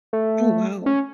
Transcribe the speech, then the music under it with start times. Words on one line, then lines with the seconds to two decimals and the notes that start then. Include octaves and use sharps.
Oh, wow.
0.13 A3
0.86 C#4